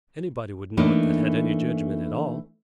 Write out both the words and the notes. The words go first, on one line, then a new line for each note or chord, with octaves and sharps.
Anybody would know it that had any jedgment at all.
E3 A3 A#3 D4 D#4